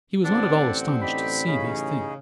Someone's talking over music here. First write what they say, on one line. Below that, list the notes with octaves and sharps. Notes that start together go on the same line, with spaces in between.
He was not at all astonished to see these things.
A1 D3 C4 D4 F#5
D#4 G4 B5
C#3 C#4 D#4 G#4